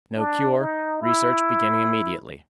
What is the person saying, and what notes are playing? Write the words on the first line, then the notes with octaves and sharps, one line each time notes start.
No cure, research beginning immediately.
D4
D#4
E4